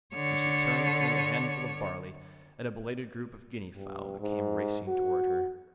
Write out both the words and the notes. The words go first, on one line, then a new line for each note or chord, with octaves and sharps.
And she turned to fling a handful of barley at a belated group of guinea-fowl that came racing toward her.
D3 C#5
G2
G#2
F#4